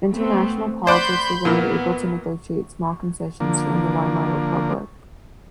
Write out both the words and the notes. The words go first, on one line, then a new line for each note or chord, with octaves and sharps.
International politics was only able to negotiate small concessions during the Weimar Republic.
A3 B3 C4
C5 D5 F#5 B5 C6 G6
A#2 E3 A#3 B3
D3 F3 A#3